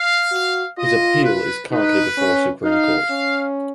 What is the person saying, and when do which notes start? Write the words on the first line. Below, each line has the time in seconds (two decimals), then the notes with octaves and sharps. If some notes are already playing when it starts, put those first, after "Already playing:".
His appeal is currently before Supreme Court.
Already playing: F5
0.31 F#4
0.78 F4 D#5
1.24 B4
1.71 D#4 B4
2.18 C#4
2.64 D#4 F5
3.10 C#4